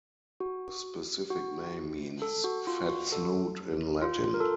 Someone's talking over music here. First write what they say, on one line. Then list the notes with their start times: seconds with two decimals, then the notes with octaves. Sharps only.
The specific name means "fat snout" in Latin.
0.40 F#4
1.30 F#4
2.22 A4
2.44 F#4
2.67 F4
2.89 F#4
3.12 A4
4.02 F4
4.25 F4
4.34 A#4
4.40 A4